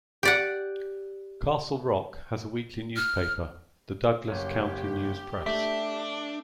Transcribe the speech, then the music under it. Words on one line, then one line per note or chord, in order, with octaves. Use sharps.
Castle Rock has a weekly newspaper, "The Douglas County News-Press".
G4 D5 F#5
F6
F#1 G4 C#5
A3 D4 E5